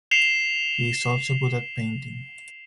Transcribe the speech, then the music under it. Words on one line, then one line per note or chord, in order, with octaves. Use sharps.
He is also good at painting.
C7 C#7 E7 F7 G7